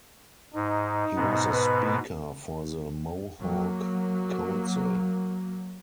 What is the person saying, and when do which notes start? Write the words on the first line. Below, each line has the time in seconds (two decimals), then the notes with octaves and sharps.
He was a Speaker for the Mohawk Council.
0.54 G#2 D#4
1.16 G#2 B2 B3
1.53 B4
3.43 F#3 A#3